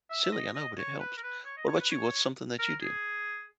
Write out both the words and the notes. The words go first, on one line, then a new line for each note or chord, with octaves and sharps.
silly, I know, but it helps. What about you? What's something that you do?
E5
E5
D#5
D#5
C#5
B4
A#4
B4
C#5
D#5
C#5
B4
C#5
A#4
G#4